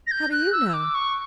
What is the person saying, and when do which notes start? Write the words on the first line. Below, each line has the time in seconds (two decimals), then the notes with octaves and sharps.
"How do you know?"
0.06 A#6
0.11 G6
0.31 F#6
0.52 E6
0.68 E6
0.73 D6
0.94 C#6